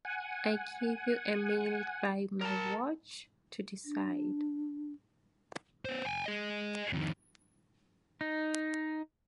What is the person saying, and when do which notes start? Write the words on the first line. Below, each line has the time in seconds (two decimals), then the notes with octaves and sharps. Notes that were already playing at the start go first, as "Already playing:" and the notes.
I give you a minute by my watch to decide.
0.05 F#5 G#5
2.41 A#4 A5
3.84 D4
5.85 B3 C5
6.05 G5 G#5
6.26 G#4 D#5
6.93 F2 D#3
8.21 D#4